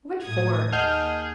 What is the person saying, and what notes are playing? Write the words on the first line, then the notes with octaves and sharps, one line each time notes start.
"What for?"
A2 D#6 G#6
D#2 G#4 D#5 F#5 A5 F6 G6